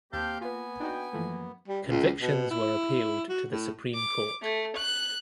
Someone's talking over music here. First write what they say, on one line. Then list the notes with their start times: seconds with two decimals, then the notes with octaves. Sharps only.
Convictions were appealed to the Supreme Court.
0.13 D#2 A#3 C4 G4 F5 A5 G6
0.41 B3 F4 B4 G#5
0.80 D4 D#4 F#4 G5
1.13 F#2 E3 F3 A3 A#3
1.68 G3
1.87 C#2
2.22 B2
2.51 E4
3.29 F#4
3.50 A2
3.94 D6
4.43 A3
4.76 F#6